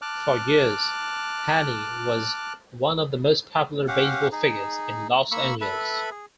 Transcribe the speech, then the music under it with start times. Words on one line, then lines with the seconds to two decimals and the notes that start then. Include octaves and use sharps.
For years, Haney was one of the most popular baseball figures in Los Angeles.
0.02 A5 D6 F6 F#6
3.88 C#4 G4 F5 F#5
4.32 D#4 G#4
5.32 A#3 B5 C#6 E6
5.61 A4 B4 E5 B5
6.11 G#4